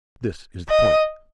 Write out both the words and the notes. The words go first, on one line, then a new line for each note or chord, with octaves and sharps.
This is the point.
D#5